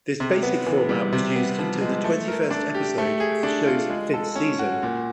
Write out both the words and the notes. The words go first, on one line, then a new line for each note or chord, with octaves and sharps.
This basic format was used until the twenty-first episode of the show's fifth season.
C3
B3
E3
G3
C3
B3
F3
G#3
A3
A#4
D4
G4
A3
G#4
D4
F4
G#3
A4
C#4
F#4
A#2